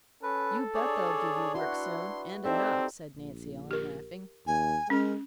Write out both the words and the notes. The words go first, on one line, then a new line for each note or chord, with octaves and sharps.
"You bet they'll give you work soon, and enough," said Nancy Ellen, laughing.
C#4 A4 B4
D4 G#4 C#5 D5
E4 F#4 B4 C6
C4 D#4 G4 A4 D5 E5
A#1
G4 A#4
D#2 G#5
G#3 C#4 A#4